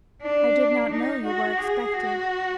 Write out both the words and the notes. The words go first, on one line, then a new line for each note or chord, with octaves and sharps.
"I did not know you were expected."
D4
D#4
F#4
G#4
F#4